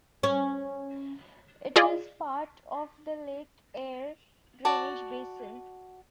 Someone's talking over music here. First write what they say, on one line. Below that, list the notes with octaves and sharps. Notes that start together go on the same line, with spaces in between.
It is part of the Lake Eyre drainage basin.
C#4
F4 G#4 D5 D#5
F#4 D5 A5